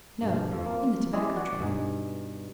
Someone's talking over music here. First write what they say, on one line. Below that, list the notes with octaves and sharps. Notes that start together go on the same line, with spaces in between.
'No, in the tobacco trade.'
G2 B2
F2 F3
A#3 F4
C#4 E4 G4 G#4 D5 D#5
F#4 D5 F#5
G2 B2 D#4 G#5